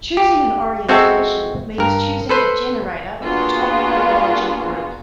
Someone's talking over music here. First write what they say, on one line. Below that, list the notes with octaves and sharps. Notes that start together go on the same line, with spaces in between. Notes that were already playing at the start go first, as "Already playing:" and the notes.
Choosing an orientation means choosing a generator of the top homology group.
G4
G#3 C4 F#4 A4 E5 A5
G2 A#4
A4 B4 C5
A#3 B3 D4 F4 F#4 G#4